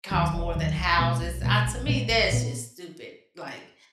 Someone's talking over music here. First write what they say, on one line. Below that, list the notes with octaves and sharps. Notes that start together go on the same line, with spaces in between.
cost more than houses. I To me, that's just stupid. Like
D#2 D#3 F#3
E1
D#2 D#3 F#3
B1
B2 G#3 B3
B1
B2 G#3 B3
A#1
A#2 G#3 B3
A#1
A#2 G#3 B3